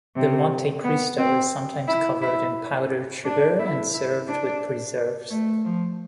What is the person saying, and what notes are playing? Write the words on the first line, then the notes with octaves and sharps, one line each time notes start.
The Monte Cristo is sometimes covered in powdered sugar and served with preserves.
C3
B3
C4
E4
E4
D4
E4
E4
D4
A3
F3